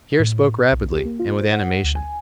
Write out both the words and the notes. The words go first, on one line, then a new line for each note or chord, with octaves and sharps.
Pierre spoke rapidly and with animation.
A2
B1
G4
A#3
F4
C5
F#5
D2
G#5